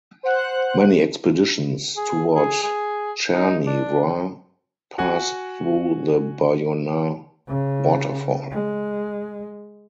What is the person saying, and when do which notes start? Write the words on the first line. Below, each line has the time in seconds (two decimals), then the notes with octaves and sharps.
Many expeditions toward Cherni Vrah pass through the Boyana Waterfall.
0.23 C5 F#5 F#6
1.96 G#4
2.35 G#4
2.62 G#4
3.33 D#4
3.66 D4
4.98 F#4 F#5 G#5
7.49 C#3
8.53 G#3